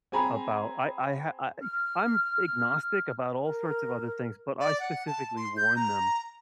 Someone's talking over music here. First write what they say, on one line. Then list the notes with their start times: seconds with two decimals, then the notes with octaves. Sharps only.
about I I ha I eh I'm agnostic about all sorts of other things, but I specifically warn them
0.12 C4 G#4 G#5 A#5 B5
1.63 F6
3.44 A#4
4.60 D5
4.80 F#5
5.07 A5
5.37 C6
5.57 G6
5.76 A#5